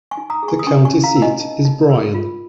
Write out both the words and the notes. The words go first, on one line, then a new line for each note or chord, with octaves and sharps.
The county seat is Bryan.
G#5 C#6
D#4
A#5 D#6
G#4
G#5 C#6
D#6
C#4 G#5 C#6
G#5 C#6
C#4
F5 A#5
A#4
D#5 G#5
D#4
D#4
A#4
F4